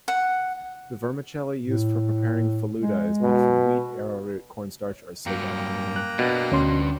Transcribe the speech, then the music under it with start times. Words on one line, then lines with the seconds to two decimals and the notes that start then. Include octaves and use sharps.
The vermicelli used for preparing falooda is made from wheat, arrowroot, cornstarch, or sago.
0.08 F#5
1.63 A2
2.79 G#3
3.22 B2
5.26 G2 F#3 A#3 G5 A#5
5.96 F#6
6.19 B2 D4 B4
6.52 D2 C#4 C6